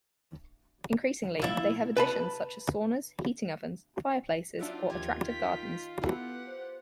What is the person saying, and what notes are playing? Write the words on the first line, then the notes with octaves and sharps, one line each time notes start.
Increasingly they have additions such as saunas, heating ovens, fireplaces or attractive gardens.
A#1 E4 E5 F5 A6
B4 A5 B5
F#3 D4 D#4 F4 D5 E5 F#5
D#2 D#3 F3 G4 G#6
G5 B6
B3 E4 G4 A4 F#5
C5